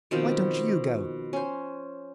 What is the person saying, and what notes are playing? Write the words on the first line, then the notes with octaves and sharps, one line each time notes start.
Why don't you go?
B2 D#3 F3 C4
C#4 C5